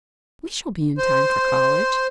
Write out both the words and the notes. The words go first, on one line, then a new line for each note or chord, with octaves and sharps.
"We shall be in time for college."
C5